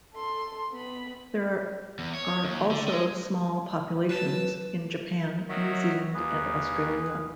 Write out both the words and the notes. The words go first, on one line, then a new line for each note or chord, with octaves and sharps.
There are also small populations in Japan, New Zealand, and Australia.
A4 C6
B3 B5
E2
C#5
D#2
D3
G#3
F#3 B4 A5 E6
D#3 F#3 F#4 D#5 E5
D#2 G#4 B4